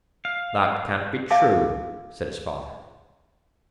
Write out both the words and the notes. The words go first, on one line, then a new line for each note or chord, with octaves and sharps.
'That can't be true,' said his father.
F5
E5 F5 G#5 D6